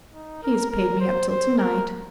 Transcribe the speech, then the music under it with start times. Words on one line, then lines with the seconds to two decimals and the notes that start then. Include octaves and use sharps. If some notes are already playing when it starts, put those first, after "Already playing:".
He's paid me up till to-night.
0.13 D#4
0.43 A#4
0.71 A#4
1.00 C5
1.29 C5
1.58 A#4